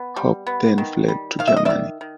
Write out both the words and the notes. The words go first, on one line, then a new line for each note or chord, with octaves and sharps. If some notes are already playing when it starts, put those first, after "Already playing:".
Hopp then fled to Germany.
Already playing: B3
G3
B3
D#3
G3
D#3 F5
E5
D#5
D#3 D5 E5
D#3